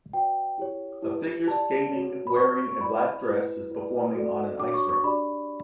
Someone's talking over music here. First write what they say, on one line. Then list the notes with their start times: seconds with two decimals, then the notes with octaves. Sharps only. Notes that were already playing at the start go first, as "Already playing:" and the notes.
A figure skating wearing a black dress is performing on an ice rink.
0.13 F#4 B4 D5 G5
0.58 E4 G4 C#5
1.02 E4 G4 B4
1.47 G4 D5 A5
1.92 F#4 C#5
2.27 B5
2.36 F#4 C#5 C#6
2.72 C#6
2.81 E4 B4 D5 B5
3.26 E4 G4 B4
3.70 E4 B4 D5
4.15 F#4 A4 D5
4.59 D4 F#4 C#5 D6
4.74 C#6
4.89 C#6
5.04 D4 G4 D5 B5